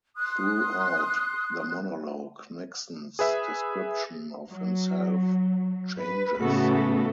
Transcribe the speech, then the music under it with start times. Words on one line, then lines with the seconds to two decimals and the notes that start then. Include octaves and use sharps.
Throughout the monologue, Nixon's description of himself changes.
0.17 C6 D#6 F#6
3.19 G#4 B4 E5
4.50 F#3
5.99 B4
6.38 A2 C#3 A3 B3 F#4 A4